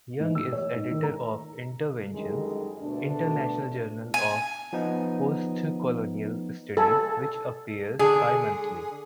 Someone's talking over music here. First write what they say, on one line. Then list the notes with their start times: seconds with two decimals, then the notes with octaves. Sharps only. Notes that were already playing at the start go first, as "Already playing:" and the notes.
Young is Editor of "Interventions: International Journal of Postcolonial Studies" which appears bimonthly.
0.20 G#2
0.35 E6
0.52 C#5
0.76 G#2
0.91 D#3
1.03 A#5
2.13 F#2 D3 D#3 G3 G#3
2.82 D2 B2 A3 D4
4.14 G#5
4.73 F3 B3 D#4
6.77 A4 G#5
7.99 D3 G#4